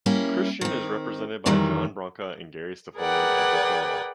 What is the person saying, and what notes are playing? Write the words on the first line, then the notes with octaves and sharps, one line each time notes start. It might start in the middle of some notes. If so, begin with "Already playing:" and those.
Kristian is represented by John Branca and Gary Stiffelman at ZiffrenLaw.
G3 A#3 C#4 E4
D#3 C4
F2 D#3 E3 F#3 G3
G#4 A#4 B4 D5 F#5 G5